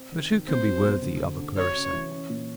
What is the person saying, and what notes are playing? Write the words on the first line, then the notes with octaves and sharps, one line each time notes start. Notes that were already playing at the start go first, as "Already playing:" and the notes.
But who can be worthy of a Clarissa?
Already playing: C4
D#3
D#3
C2 C5
F#3
B2
D3
D3
D3
F#4 C#5
C#4
E3
C#4
A#2